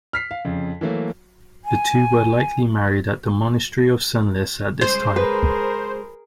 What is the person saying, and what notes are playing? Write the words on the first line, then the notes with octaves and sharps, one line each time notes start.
The two were likely married at the monastery of Senlis at this time.
F6 B6 C7
F5
F2 C#3
E3 F#3 A3 A#3
G#5
C#3 G#3 C5
G#4 A#4 B4